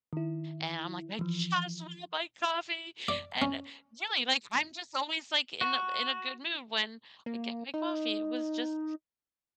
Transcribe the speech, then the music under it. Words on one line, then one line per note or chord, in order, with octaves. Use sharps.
and I'm like, "I just wanna buy coffee," and really, like, I'm just always, like, in a in a good mood when I get my coffee. It was just
D#3 E4
E3 F3
D5
C#4
F#4
A#3
D#4